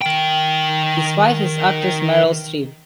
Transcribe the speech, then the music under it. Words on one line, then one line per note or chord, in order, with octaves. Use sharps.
His wife is actress Meryl Streep.
D#3 G5